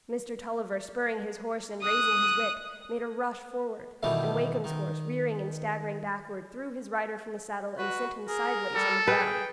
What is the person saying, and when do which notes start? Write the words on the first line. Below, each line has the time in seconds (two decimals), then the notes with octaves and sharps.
Mr. Tulliver, spurring his horse and raising his whip, made a rush forward; and Wakem's horse, rearing and staggering backward, threw his rider from the saddle and sent him sideways on the ground.
1.82 D#6 F#6
4.03 B2 D#3 E3 G3 A3
4.64 D#3
7.78 F#4 B4
8.28 G#4 A#4
8.75 G3 A4
9.08 G#4 B4 G5